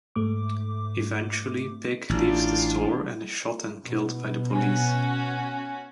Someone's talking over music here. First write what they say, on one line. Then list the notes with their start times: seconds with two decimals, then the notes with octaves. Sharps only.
Eventually Pig leaves the store and is shot and killed by the police.
0.16 G#2 A3 D6
2.10 A1 D4 F4
3.87 B2
4.51 C#4 F#4